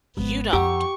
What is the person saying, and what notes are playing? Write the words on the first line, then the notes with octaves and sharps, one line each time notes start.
You don't.
G#1 F3 B3
F2 G4 F#5 A#5 C#6 E6